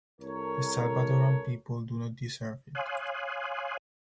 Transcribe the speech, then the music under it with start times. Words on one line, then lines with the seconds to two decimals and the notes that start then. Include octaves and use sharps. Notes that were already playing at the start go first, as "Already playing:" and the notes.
The Salvadoran people do not deserve it.
0.21 C2 A4 A#4 C#5
2.75 C#5 F5 G#5 C6 D#6 F#6